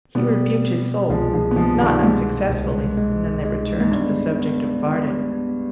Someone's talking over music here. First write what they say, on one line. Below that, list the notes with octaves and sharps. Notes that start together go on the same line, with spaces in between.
He rebuked his soul, not unsuccessfully, and then they returned to the subject of Varden.
B2 G3 B3
C4
C2 F3 G#3
F3 G#3
B3
C2 F3 G#3
D#3 G3
G#2 G#3
C2
G#3
G#3
G#2
G2 B3
B3
B3
B3